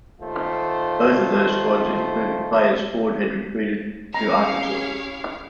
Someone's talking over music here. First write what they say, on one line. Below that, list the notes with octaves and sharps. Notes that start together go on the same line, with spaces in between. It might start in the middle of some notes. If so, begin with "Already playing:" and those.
Both of those squads included players Ford had recruited to Arkansas.
D#2 A3 F4 C5
C#4 E4 G4 G#4 C#5 F5 A#5